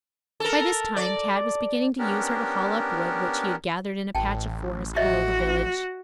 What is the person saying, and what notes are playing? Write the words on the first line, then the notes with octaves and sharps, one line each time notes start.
By this time, Tad was beginning to use her to haul up wood which he had gathered in a patch of forest below the village.
A4 A#4
D5
B3 C#4 D4 G4 A#4
A1 G5 A5
F#4 C#5 D#5 E5